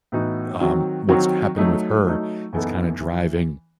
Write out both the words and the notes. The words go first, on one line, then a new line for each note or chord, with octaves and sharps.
Um, what's k happening with her is kinda driving
A2 E3 B3 D#4 F#4
D#3 F#3 C4 F#4
D#3 F#3 C4 F#4
F#3 A3 D#4
F#3 A3 D#4
F#2 E3 B3 D#4 A4
E3